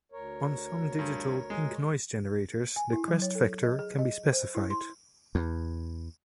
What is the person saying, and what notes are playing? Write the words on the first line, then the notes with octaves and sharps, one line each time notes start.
On some digital pink-noise generators the crest factor can be specified.
D2 A#4 C#5
G2
G#3
G#5
E4
F#3
C#5
A4
D#5
G#4
D#5
C5
E4
C6
E2